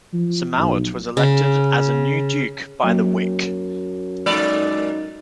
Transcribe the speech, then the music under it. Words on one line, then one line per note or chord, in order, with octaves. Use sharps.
Siemowit was elected as new duke by the "wiec".
F3
B1
C#3
F#2 F#3 A#3
A#2 G#3 D#4 D5